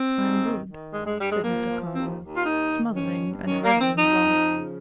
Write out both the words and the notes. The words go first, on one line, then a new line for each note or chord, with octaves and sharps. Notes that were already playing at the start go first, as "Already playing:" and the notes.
"I would," said Mr. Carlyle, smothering an irreverent laugh.
Already playing: C4
G#2
D#3
D#3
G2 G#3
G#3
G2 G3
G#3
F3 A#3
F3
D#2 C4
D#2
F4
D#3 D#4
D#3
G2 C#4
G2
D#3 C#4
A#3
D#3
C4
F2 D#4
F3
C#3